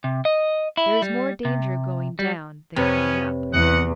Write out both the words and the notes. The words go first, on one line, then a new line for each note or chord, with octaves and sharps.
There is more danger going down than coming up.
C3
D#5
E4
G3
C3
G3
F2 C3 B3 C#4 B4 C#5
E2 D#5 F#5